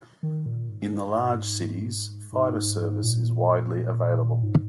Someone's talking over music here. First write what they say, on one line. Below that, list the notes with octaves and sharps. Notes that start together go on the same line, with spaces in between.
In the large cities, fiber service is widely available.
D#3
A#2
G#2
G#2
A#2
G#2